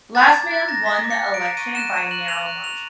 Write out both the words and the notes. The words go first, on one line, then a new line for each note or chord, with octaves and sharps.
Lastman won the election by narrow margin.
A#5 A6
D6 G#6
F#6 A6
A#5 A#6
A#5 B6
D6
C#7
F#6
D7
A#5
C#6 D#7
F#6 E7
D#7
C#6 E7
F#6 F#7
C#6 F7
F#6
C#6 F7